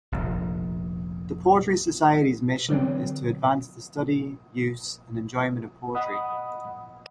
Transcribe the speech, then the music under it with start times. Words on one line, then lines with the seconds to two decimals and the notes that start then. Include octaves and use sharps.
The Poetry Society's mission is to advance the study, use and enjoyment of poetry.
0.12 F1 A#1
2.69 D3 E3 F#3 C4
5.95 D#5 F#5 B5 D#6